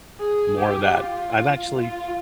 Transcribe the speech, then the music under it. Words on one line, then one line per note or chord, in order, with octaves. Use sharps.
more of that. I'm actually
G#4
G4
F4
F4